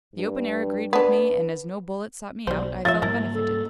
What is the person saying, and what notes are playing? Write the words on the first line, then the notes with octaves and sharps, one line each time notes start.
The open air agreed with me, and as no bullet sought me out I felt benefited.
G2
B3 D4 B4
B1 F#3 G3 C5
F3 F4 C#5 E5 A6
G#2 G3 A#3 E4 A#4 A#5
A4